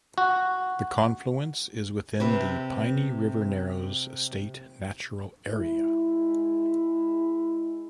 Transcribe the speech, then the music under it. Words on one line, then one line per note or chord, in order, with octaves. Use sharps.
The confluence is within the "Piney River Narrows State Natural Area".
F#4
C3 B4 E5
G#3 E4